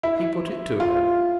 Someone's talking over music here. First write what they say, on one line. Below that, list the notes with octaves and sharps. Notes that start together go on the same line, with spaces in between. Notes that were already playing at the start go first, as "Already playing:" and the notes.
He put it to her.
E4
F4